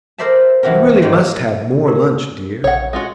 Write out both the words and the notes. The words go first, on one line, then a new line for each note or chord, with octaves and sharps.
'You really must have more lunch, dear.
A4 A#4 C5 D5 E5 A5
C3 E3 F#4 G4 A#4
G#2 D#3 F3 D5
G4 A#4
A#1 C#5 F#5
G#3 F4 F#4